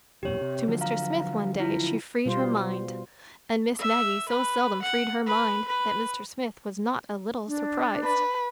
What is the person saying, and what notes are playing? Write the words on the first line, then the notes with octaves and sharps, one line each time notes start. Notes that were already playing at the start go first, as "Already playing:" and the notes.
To Mr. Smith, one day, she freed her mind--and Miss Maggie so seldom freed her mind that Mr. Smith was not a little surprised.
E1 F#2 A#2 G4 C#5
C3
D3 F3 F#3
F5 A#5
E4 F4
B2 G3 F4 C5
E5
B4
F#5
B4
B4
D4
B4